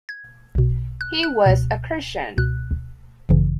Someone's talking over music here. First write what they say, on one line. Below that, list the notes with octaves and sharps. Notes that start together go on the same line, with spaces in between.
He was a Christian.
G#6
B1 B2
F#6
F#6
C#2 B2
C#2 B2 F#6
G#1 F#2 C#3 E3